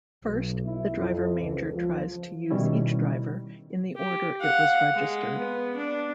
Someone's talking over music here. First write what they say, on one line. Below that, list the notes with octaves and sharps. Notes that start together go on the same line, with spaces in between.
First the DriverManager tries to use each driver in the order it was registered.
B1
E4
F2
C#2
F3
B2 D#3 G3 C#4 E4
G4
F5 F#5
G#3
B3
D4